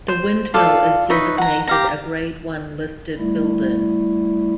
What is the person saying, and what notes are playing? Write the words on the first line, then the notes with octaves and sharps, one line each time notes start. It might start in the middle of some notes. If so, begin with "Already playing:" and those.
The windmill is designated a Grade One listed building.
C5
F4 A4 D5 F5
D#4 B4 C#5 E5
F#5 A#5
G4 F5 A#5
G3 A3 E4